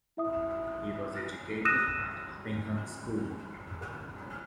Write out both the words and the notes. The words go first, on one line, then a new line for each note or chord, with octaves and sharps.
He was educated at Uppingham School.
E4 E5 D#6
D#6 E6 F#6 A#6 D#7 E7